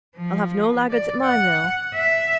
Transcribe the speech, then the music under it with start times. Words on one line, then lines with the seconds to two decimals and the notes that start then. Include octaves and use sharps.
'I'll have no laggards at my mill.
0.16 F3
0.90 D5
1.25 F#5
1.94 E5